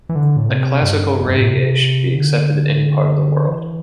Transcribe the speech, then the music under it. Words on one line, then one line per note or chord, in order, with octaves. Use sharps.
A classical reggae should be accepted in any part of the world.
E3
D3
A2
C3
G2
G2
A2
C3
D3
E3